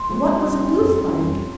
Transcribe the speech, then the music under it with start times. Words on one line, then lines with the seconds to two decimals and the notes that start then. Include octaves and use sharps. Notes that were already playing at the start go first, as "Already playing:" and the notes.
'What was a goose like?'
Already playing: C6
0.09 F3 G#3 C4
0.32 G3
0.56 C#4 E4
0.80 F2
1.02 E3 G3 C#4
1.27 F2